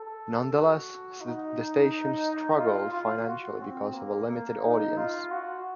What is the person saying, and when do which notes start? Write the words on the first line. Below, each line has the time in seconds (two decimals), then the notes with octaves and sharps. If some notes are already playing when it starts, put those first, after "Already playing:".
Nonetheless, the station struggled financially because of a limited audience.
Already playing: A4
0.53 F#4
1.21 D#4
2.58 F4
2.93 F4
3.27 F#4
3.61 C4
3.95 A#3
4.29 A#3
4.63 D#4
4.97 F4
5.31 F#4